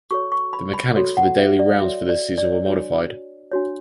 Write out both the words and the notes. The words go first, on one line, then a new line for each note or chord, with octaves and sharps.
The mechanics for the daily rounds for this season were modified.
F#4 A4 C#5 C#6
C#6
B5
B5
F#4 A4 C#5
F#5
E5
D5
F#4 A4 C#5 E5
D5
D5
C#5
D5
D4 F#4 C#5
D4 F#4 C#5